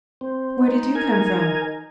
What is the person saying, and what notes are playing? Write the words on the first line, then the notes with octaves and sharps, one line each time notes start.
"Where did you come from?"
C4
D#4
A#4 G#5